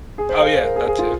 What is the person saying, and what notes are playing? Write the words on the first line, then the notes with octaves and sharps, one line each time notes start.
Oh yeah, that too.
G#4
C5
F5
C5
A#4
G#4
G#4
F4